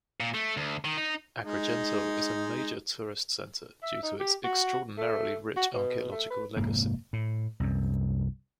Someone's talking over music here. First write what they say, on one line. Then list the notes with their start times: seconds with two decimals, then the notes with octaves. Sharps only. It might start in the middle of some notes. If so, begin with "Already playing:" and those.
Agrigento is a major tourist centre due to its extraordinarily rich archaeological legacy.
0.20 A#2
0.34 A3
0.57 D2
0.85 D#3
0.98 D#4
1.44 G#3 D#4
3.83 E5
4.03 D#4
4.20 G4
4.44 F#4
4.98 A3
5.57 F#4
5.74 B2
6.11 A3
6.30 B4
6.57 F1 G#2 A#3
7.13 A2
7.60 C2 F#2